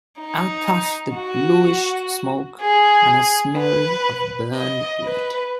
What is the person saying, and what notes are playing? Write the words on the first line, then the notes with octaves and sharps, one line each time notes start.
Out puffed the bluish smoke and a smell of burned bread.
D#4
F#4
G#4
B4
D#5
B4